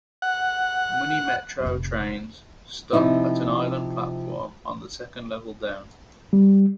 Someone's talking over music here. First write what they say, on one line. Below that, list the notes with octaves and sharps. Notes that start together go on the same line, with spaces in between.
Muni Metro trains stop at an island platform on the second level down.
F#5
F1 A#1
C3 F3 D#4 E4
G3